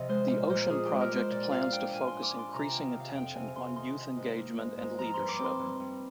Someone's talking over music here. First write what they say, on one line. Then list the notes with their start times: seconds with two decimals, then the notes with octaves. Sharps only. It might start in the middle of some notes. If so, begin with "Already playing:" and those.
The Ocean Project plans to focus increasing attention on youth engagement and -leadership.
Already playing: C3 F3 D#5
0.09 G#3 C5
0.30 A#2
0.49 A#2 C5
0.70 A#2 G#4
0.85 G4
0.91 G#3
1.01 A#4
1.11 G#3 C5
1.31 A#2 D5
1.51 A#2 F5
1.72 D4 G5
1.92 A#2 G#5
2.07 C6
2.13 A#2
2.23 D6
2.34 D4 C6
2.54 C3 A#5
2.69 G5
2.74 D#3
2.84 F5
2.95 C3
3.00 F5
3.14 F2 G5
3.35 C3 G#5
3.55 C3 C6
3.76 D#3 C6
3.96 D#3
4.17 G#2
4.37 A#3
4.58 G#2
4.77 G#2
4.98 F3 A#5
5.14 G2 C6
5.29 D6
5.39 C4
5.44 C6
5.59 G2
5.80 G2